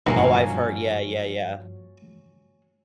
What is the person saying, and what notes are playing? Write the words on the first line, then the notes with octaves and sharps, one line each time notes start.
Oh, I've hear yeah, yeah, yeah.
G2 B2 D#3 F3 F#3 A#3 C#4 F#4